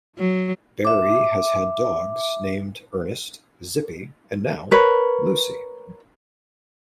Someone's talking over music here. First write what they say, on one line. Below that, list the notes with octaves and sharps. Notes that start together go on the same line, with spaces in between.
Barry has had dogs named Earnest, Zippy, and now Lucy.
F#3
E5 D6
A#4 B4 C#5